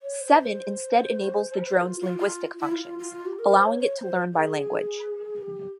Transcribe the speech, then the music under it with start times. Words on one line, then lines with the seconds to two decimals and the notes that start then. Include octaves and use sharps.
Seven instead enables the drone's linguistic functions, allowing it to learn by language.
0.02 C#5
0.21 C5
0.38 C5
1.65 C5
1.82 F4
2.00 F4
2.18 F4
2.60 E4
2.72 F4
2.99 F4
3.26 G4
3.39 A#4
3.53 C5
3.66 C#5
3.80 C#5
3.98 C5
4.34 G#4
5.42 G4